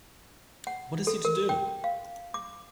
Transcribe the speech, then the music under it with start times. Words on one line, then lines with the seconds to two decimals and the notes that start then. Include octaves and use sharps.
What is he to do?
0.67 F#5
1.07 A4
1.25 A#4
1.49 G5
1.84 F5
2.34 D6